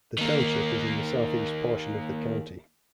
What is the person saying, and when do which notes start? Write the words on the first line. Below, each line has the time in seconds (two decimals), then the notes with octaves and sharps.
The township is in the southeast portion of the county.
0.18 D#3 A#3